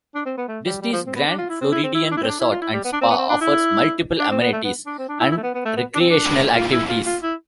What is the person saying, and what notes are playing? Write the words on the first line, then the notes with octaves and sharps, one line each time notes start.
Disney's Grand Floridian Resort and Spa offers multiple amenities and recreational activities.
D4
C4
B3
A3
G3
G3
F3
C4
B3
D4
F4
E4
C4
E4
C4
E4
E4
D4
E4
C4
D4
E4
F4
E4
G3
B3
D4
C4
B3
C4
D4
E4
D4
C4
B3
A3
B3
D4
C4
D4
E4
E4
A3
B3
B3
A3
B3
D4
C4
D4
F4
E4
F4
F4
E4